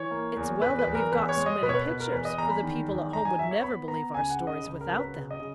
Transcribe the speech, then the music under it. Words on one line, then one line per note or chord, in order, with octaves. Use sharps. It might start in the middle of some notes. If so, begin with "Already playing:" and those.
"It's well that we've got so many pictures, for the people at home would never believe our stories without them."
Already playing: E3 C#5
A#3
E2
E2 B4
B4
E2
A#4
E2 B4
C#5
G#3
D#5
B2 B4
C#5
B4
B2 B4
A#4
E2 B4
D#5
E2 A#5
B5
D#3
E2
D#4 A#5
G#5
F#3 E5
C#5
B3 B5
B3 A#5
C#2 G#5
F#5
C#3
D#5
C#2
A#4
F#3
B4
C#3
D#5
C#3